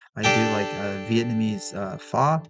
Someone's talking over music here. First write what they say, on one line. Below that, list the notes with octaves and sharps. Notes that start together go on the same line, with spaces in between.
I do, like, uh, Vietnamese, uh, pho,
D4 G4 A4 G5